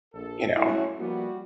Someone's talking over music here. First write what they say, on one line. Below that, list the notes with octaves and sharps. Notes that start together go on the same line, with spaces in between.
You know?
A#1 A4
A3 C#4 E4 F#4
F3 G3 A#3 B3 F#4